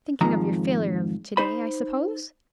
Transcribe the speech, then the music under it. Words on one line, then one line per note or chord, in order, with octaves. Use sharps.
"Thinking of your failure of to-day, I suppose?"
F2 G#2 D#3 F3 A#5
D#4 C5 B5